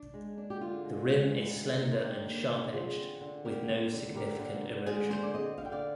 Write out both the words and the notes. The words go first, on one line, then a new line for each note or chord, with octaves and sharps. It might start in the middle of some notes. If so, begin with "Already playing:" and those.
The rim is slender and sharp-edged, with no significant erosion.
Already playing: D4
G#3
D4
G4
D3 F4
G#3
G#3
D2
D3
A#3 D#4
F4
D3 D#4 G4
A#3
D3
D3 F4 G#4
C4
D3
C4 G4 A#4
C4
D3
D3 G4 A#4
D3
D3
G#3 F4 G#4
D3 G#4 C5
D5
C4 C5 D#5
D3 F5
G5
D5 F5